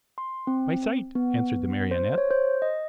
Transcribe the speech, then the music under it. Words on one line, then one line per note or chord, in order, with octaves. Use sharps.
"By sight!" answered the Marionette.
C6
C4
B3
C5
C#5
C5
D#5